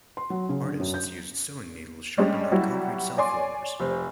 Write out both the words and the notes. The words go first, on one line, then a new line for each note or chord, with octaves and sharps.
Artists used sewing needles sharpened on concrete cell floors.
C6
F#3
C#3
D3
F#2
G6
G3 G#3 C#4 D4
F#3 G3 E4 F#4
C#5 D5 G#5 C6 D6
F1 C5